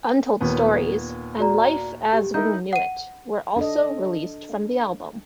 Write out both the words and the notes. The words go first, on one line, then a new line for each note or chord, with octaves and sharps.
"Untold Stories" and "Life as We Knew It" were also released from the album.
D#2 A#2 B3
F#4 D5 A#5
G4
D#4 E4 A#4 G6
F#5 D#7
D4 A4 D#5